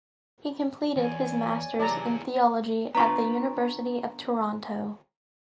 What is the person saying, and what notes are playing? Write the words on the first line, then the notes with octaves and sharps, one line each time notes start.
He completed his master’s in theology at the University of Toronto.
E2 C#5 D5 G#5
C3 E3 F#3 E4 G#4 D5 A5 A#5
B3 D4 F4 A#5 C#6